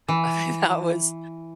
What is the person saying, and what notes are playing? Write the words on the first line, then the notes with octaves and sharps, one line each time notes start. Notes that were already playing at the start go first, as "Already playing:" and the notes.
I mean, that was,
E3